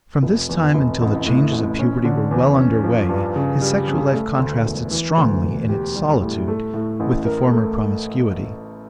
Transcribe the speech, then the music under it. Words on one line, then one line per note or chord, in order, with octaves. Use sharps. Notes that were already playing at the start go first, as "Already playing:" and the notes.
From this time until the changes of puberty were well under way his sexual life contrasted strongly, in its solitude, with the former promiscuity.
F1
E2
F1
A1
A2
A1
C#4
D3
E2
C#4
F3
G2
C#3
G3
C#3
A3
D2
E1
E3
D2
E1
G4
G3
A2
A3
A2
A1
A#4
A3